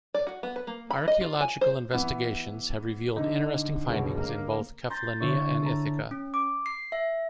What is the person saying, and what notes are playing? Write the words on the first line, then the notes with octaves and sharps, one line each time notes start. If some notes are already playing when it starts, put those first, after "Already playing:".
Archeological investigations have revealed interesting findings in both Kefalonia and Ithaca.
D5
F#4
B3
B4
A#3
B5
D#5
F4
G#5
C5
E3 B3
D3 D#4
C#2 B2
A#3
A#5 C6 G6 A6 A#6
D3 E4 C#5
A4 A#5
C#4
D6
C7
E5